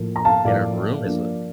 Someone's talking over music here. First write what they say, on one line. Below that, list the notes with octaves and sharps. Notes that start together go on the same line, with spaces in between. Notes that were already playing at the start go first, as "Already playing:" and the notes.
and her room is a
Already playing: A2 F3 A#3
A#5
F5 A5
A2 F3 A#3 D5 F5
G2 F3 A#3 D4